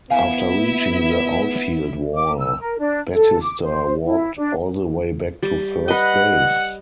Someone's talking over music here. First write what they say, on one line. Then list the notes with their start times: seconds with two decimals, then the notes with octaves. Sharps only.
After reaching the outfield wall, Batista walked all the way back to first base.
0.10 B3 E4 E5 F5 G#5
2.15 D6
2.39 E6
2.61 A#4
2.79 D4
3.13 A4
3.42 D6
3.63 C5
4.05 E4
4.37 D4
5.43 G3
5.88 B4 D#5 F#5